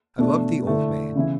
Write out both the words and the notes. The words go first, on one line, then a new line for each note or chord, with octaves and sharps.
I loved the old man.
B2 A3 D4
D3 A3 E4
C#3 E3 B3 E4